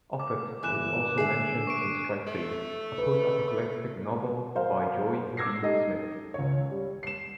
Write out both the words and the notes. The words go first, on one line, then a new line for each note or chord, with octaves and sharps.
Offutt is also mentioned in Strike Three, a post-apocalyptic novel, by Joy V. Smith.
D6
G1 E3 D6 F#6 E7
D3 G#4 E5 C7
C#6 D7
A3
B4
F#3 A#4 C5 F5
D6 E6 G#6 A#6 C7
D#4 G4 A4 D#5
C#2 C#5
G3
C7 E7